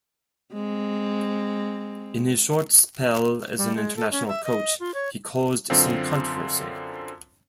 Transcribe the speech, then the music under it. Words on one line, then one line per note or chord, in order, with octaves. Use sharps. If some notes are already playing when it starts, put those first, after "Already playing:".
In his short spell as an international coach, he caused some controversy.
G#3 C4
G3
G#3
A4
C#4
E5
D#5
F4
C#5
F#2 D3 C4 F4